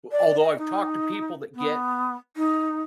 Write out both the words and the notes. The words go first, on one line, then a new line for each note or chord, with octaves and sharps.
although I've talked to people that get
D5
D#5
D#4
B3
D#4